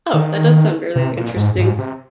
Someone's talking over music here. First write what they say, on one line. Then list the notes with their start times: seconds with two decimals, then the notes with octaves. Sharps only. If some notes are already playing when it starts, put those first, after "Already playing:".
Oh, that does sound really interesting,
0.14 D#3
0.95 C3
1.16 A#2
1.36 G#2
1.58 G#2
1.78 C3